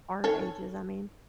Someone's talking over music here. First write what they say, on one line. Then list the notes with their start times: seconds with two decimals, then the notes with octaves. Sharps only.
our ages, I mean.
0.24 D#3 A4 C#5